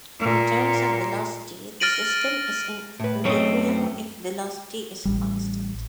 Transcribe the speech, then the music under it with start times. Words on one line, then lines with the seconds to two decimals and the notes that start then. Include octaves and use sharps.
In terms of velocity, the system is in equilibrium if velocity is constant.
0.20 A#2
1.80 F6 A6 A#6 D7 D#7 F#7
3.00 A2 B4
3.25 F#2 A3 C4 C#5 D#5
5.05 A1 G3